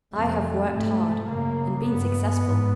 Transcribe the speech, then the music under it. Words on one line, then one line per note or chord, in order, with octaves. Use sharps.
I have worked hard and been successful.
F2 C3 A3
G#2 A3
F#2 C#3 A#3
G2 B3
G#2